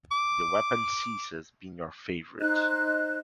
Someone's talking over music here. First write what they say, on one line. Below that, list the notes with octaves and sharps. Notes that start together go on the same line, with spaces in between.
The weapon ceases being your favorite.
D6
D#4 C5 D#5 F#6